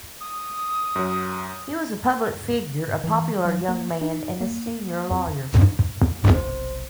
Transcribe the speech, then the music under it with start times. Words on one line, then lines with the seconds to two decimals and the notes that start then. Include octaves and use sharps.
He was a public figure, a popular young man, and a senior lawyer.
0.21 D#6
0.96 F#2 F#3
3.04 E3
3.45 F#3
3.69 A#3
4.01 D#4
4.41 A#3
5.11 F2
6.34 F1 B1 C3 C5